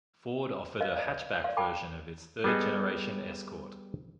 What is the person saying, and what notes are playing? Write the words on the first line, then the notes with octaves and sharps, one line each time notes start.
Ford offered a hatchback version of its third-generation Escort.
B4 D#5 F5
D5
D5 F5
G5 A5 B5 D6
G3 B3 G#4 A4 D#5